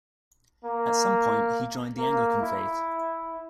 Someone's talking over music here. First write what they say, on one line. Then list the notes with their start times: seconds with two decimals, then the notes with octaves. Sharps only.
At some point he joined the Anglican faith.
0.64 A#3
1.98 A#3
2.41 E4